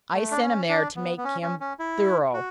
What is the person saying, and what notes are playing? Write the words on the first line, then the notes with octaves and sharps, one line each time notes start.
I sent him there to make him THOROUGH.
A3
D4
C#4
D4
B3
B3
C#4
C#4
C#4
E4
F#4